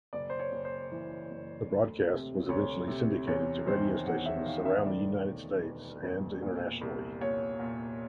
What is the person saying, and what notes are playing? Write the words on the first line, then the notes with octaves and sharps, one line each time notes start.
The broadcast was eventually syndicated to radio stations around the United States and internationally.
F#1 D5
C5
C#5
F#1
C5
E3
F#1
D2
C3
D2 C#5
C3
E2 C#5
D#3 C5
E2 F#5
E5
D#3 F5
E5
D2 D5
E1
E1
E1
A#2
C2
A#2 C#5
A#2